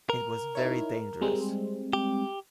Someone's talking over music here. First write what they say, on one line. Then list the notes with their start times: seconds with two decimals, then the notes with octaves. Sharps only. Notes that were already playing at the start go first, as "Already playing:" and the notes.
It was very dangerous.
0.10 A#4
0.55 D#4 E4 C#5
1.21 G3 G#3 C4
1.93 G4